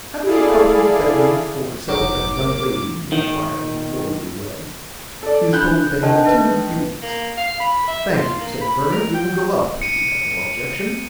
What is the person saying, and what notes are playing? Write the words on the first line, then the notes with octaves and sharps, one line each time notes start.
Have you a couple of bedrooms for self and young lady he enquired in a lordly way." He is told that they have two beauties. "Thank you said Bernard we will go up if you have no objection.
E4 G#4 A4 D5 F5
F1 B1 F#3 D#4 D6
A#4
D#3
A4 D5
D4 B5 F#6 G6
D#3 D4 A4 A5
B4 E5 A5
A#3
F5
B5
E5
F4
A#3
B5
A#4
G5
C#7 D#7